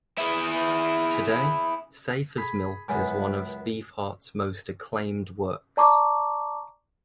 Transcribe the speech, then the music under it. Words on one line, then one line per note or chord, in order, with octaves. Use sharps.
Today, "Safe as Milk" is one of Beefheart's most acclaimed works.
E4 G#4
G#4 B5
C#2 F#2 B3 G#5
D5 A5 A#5 C#6 D6